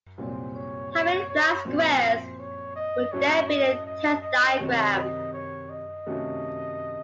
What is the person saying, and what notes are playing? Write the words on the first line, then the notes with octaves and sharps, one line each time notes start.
How many black squares will there be in the tenth diagram?
C2 A#2 F#3 C4 C5
C#5
C#5
C#5
A#2 F3 C4 F#4 C5
C5
C#5
D#5
A2 F#3 A3 C#4 F#4 C#5
D#5
D#5
D#5
C3 D#3 F#3 C4 C#5
D#5
C#5
D#5
C3 D#3 A3 C#4 F#4